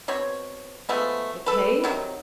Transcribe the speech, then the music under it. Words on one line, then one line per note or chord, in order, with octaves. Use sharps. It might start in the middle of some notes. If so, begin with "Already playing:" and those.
"The cave?"
B2 C4 C#5
F3 G#3 A3 B3
A4 B4
C3 D#3 F#3